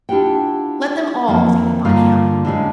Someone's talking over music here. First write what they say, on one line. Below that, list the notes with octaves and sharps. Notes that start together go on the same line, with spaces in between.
Let them all lean upon him.
D4 E4 F4 G4 F#5 G5
F2 D#3 F#3 A3 A#3 C4
G2 D3 A#3 F4 F5 A5
A2 D3 G#3 C#4